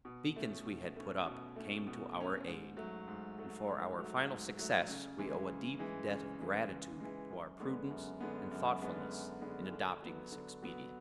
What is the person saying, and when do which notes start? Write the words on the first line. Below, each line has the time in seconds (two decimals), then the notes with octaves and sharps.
The beacons we had put up came to our aid, and for our final success we owe a deep debt of gratitude to our prudence and thoughtfulness in adopting this expedient.
0.05 B2
0.36 A3 C#4
0.66 B2
0.96 A3 C#4
1.26 B2
1.56 A3 C#4
1.87 B2
2.16 A3 C#4
2.47 G#2
2.77 F#3 A3
3.08 G#2
3.38 F#3 A3
3.68 G#2
3.99 F#3 A3
4.28 G#2
4.59 F#3 A3
4.89 C#3
5.18 E3 G#3
5.49 C#3
5.79 E3 G#3
6.09 C#3
6.40 E3 G#3
6.70 C#3
7.00 E3 G#3
7.30 F#2
7.60 D3 G#3 B3
7.91 F#2
8.20 D3 G#3 B3
8.51 F#2
8.82 D3 G#3 B3
9.11 F#2
9.41 D3 G#3 B3
9.72 D3
10.02 F#3 B3
10.32 D3
10.62 F#3 B3